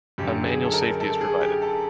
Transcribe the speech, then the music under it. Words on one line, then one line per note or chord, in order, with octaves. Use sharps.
A manual safety is provided.
F#2 D3 F#3 G4
G#4
A4
A#4
A4
G#4
G4
A4